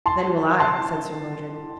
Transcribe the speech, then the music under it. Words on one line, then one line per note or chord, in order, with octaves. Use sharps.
"Then will I," said Sir Modred.
A5 C6
A5 C6